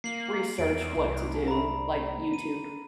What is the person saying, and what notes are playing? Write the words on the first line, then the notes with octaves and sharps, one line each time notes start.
research what to do, like YouTube.
A#3 C7 F#7
E2 D7
C2
A#5 B5
D#7